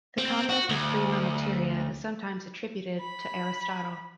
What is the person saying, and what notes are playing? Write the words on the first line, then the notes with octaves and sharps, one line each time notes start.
The concept of prima materia is sometimes attributed to Aristotle.
C4
F#4
D2
B5